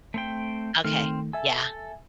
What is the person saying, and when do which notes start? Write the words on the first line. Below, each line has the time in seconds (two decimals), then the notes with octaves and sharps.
Okay. Yeah.
0.14 A3 C4 G5
0.84 D#3 A3 C4 F6
1.33 A4 E5 G#5